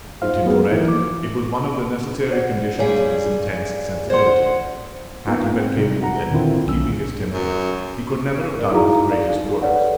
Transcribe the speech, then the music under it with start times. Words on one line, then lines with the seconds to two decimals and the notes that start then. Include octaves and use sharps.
In Tintoret it was one of the necessary conditions of his intense sensibility; had he been capable, then, of keeping his temper, he could never have done his greatest works.
0.22 D#4 F4 C5 F5
0.44 F#3 G#3 A3 B3 G#4
0.69 E3 A#3 D#4 E4
0.88 F3 D6
2.31 C5 D5 F#5
2.79 G2 G3 G#4 C#5 F5
4.10 C5 D5 F#5 C6
5.27 A#3 B3 D#4 F4
5.53 C4
5.77 C3 G3 D#4
6.03 F#5 A#5
6.31 A#2 D3 D#3 C4 E4 F4
6.67 B1 C#4 E6
7.32 F#2
8.56 A#4 D5
8.71 D#4 E4 F#4 G#4 F5 A#5
9.11 D5 F5
9.30 D#4
9.50 G4
9.62 A4 B4 C#5 D5 F#5